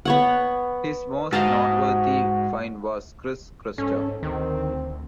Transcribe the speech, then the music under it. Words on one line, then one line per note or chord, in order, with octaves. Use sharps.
His most noteworthy find was Chris Crutcher.
B3 C#5 F#5
G#2 F#4 D#5 F5 A5
G#2 C#4 A4
D2 D#3 C4